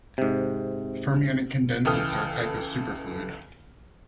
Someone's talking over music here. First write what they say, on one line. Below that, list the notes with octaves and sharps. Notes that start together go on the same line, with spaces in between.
Fermionic condensates are a type of superfluid.
G#2 C3
C#2 E3 A4 G5 D#6 F6